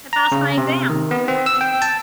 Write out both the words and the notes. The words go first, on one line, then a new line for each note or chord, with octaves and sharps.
I passed my exam!
A#5
C#3
C3
D#3
B3
C4
E6
G5
A5